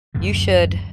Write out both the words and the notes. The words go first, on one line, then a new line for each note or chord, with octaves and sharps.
You should
D1 F#2 A2 D3